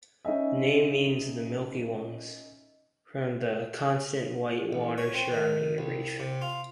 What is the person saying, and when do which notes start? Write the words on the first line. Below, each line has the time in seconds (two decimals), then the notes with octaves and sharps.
The name means "the milky ones", from the constant white water surrounding the reef.
0.25 C#4 D#4 D#5 E5
4.73 A1
4.98 C#5
5.14 C4
5.32 D#3
5.78 C2
6.20 C3
6.42 F4